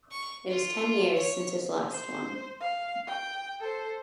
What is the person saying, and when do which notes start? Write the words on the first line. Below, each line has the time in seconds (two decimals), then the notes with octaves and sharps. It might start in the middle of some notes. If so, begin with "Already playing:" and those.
It is ten years since his last one.
0.11 C#6
0.48 F4
1.14 C#5
1.91 C5
2.61 F5
3.07 G5
3.60 A4 C5